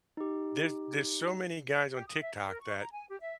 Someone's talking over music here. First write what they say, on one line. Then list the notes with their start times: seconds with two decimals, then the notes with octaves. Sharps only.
There's there's so many guys on TikTok that
0.17 D#4 G4
1.91 G4
2.07 D#6
2.21 E5
2.34 A#5
2.49 A#4
2.61 C#6
2.77 A#5
2.92 G#5
3.09 G4
3.20 E5